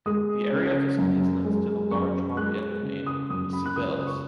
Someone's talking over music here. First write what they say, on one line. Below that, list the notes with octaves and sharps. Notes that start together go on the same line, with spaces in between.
The area to ski is linked to the large Maurienne domain, the Sybelles.
G#3 D#6
C#3
F#2
G#3
F#2 C#6
G#3 F#6
C#3
D#6
F#2 D#6
B5
F#6
C#2 D#6
C#6